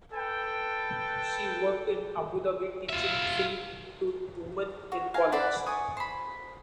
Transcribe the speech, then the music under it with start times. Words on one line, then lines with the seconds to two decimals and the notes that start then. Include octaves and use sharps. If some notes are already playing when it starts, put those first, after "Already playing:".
She worked in Abu Dhabi teaching film to women in college.
0.13 A4 B4 G5
2.89 F4 E5
4.92 F#4
5.14 F5 G#5 A#5
5.32 B4 C5 D5 F#5
5.66 G#5 C#6 D#6
5.97 C5 B5